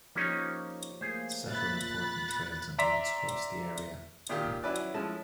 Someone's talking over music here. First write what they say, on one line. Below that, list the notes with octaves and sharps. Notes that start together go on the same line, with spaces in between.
Several important trails and routes crossed the area.
F3 A#3 C#4 D#4 G4 C#5
A3 A#3 G#4 C5
A#2 E5 B5 F#6 A6
D5 E5 A#5 C6 B6
A#2 D#3 F4 G4
F#3 C#4 E4 B4 D5 F#6
F3 G#3 A3 C#4 E4 A5